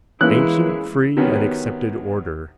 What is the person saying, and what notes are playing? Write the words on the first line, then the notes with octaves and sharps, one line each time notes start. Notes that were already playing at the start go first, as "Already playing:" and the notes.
Ancient free and accepted order.
E3 G#3 A#3 B3 C#4 E4 F#6
C3 D#3 F#3 B3 C#4